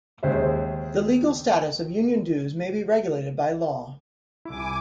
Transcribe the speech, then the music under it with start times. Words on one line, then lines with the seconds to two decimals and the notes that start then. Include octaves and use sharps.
The legal status of union dues may be regulated by law.
0.23 D#2 G#3 C5 C#5 E5
4.45 C2 E4 G#5 D6